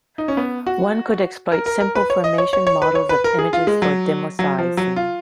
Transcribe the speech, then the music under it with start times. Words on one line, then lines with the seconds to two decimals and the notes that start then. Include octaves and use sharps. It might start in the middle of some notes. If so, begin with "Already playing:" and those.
One could exploit simple formation models of images for demosaicing.
0.18 D#4
0.28 C#4
0.37 B3
0.66 F#4
1.52 A#4
1.66 A#4
1.80 A#4
1.95 B4
2.10 C#5
2.24 D#5
2.38 C#5
2.53 C#5
2.67 C#5
2.82 B4
2.95 C#5
3.09 B4
3.24 A#4
3.39 G#4
3.53 F4
3.67 G#3
3.82 F#3
4.39 F#3
4.58 F3
4.77 F#3
4.96 F4